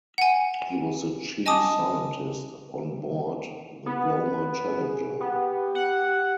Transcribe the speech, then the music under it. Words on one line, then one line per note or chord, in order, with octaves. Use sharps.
He was the chief scientist on board the Glomar Challenger.
F#5 G#5
D#5 G#5 A5 D6 D#6
B3
G#4
B3 G4
F#5